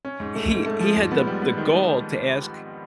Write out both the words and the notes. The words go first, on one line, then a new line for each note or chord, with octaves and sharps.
he he had the the gall to ask
C#4
G#2
A3
G#2
A3
F3
G#2
B3
G3
B3
D#3